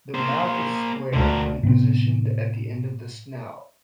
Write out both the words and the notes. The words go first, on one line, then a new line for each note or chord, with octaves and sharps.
The mouth is square, and positioned at the end of the snout.
A#3 C5
D2 D3 A#4
A2 C3 B3 C4